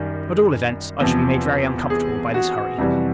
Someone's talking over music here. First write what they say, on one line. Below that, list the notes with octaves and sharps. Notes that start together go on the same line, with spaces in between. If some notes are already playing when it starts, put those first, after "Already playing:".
At all events, I shall be made very uncomfortable by this hurry.
Already playing: F#2 D#3 G3
E2 C3 F3
G#4
F#4
F2 C3 E3 G3